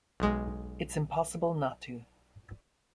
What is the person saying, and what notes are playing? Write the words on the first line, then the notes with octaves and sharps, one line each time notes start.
It's impossible not to.
B1 G#3